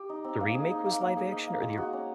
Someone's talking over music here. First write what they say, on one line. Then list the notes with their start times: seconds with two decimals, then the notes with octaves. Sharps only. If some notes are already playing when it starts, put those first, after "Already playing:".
the remake was live action or the
Already playing: G4
0.09 D#4
0.24 C4
0.40 A#3
0.55 G#4
0.71 D#4
0.86 A#3
1.01 A#3
1.16 G#4
1.32 D#4
1.47 A#3
1.62 G#3
1.78 F#4
1.93 C#4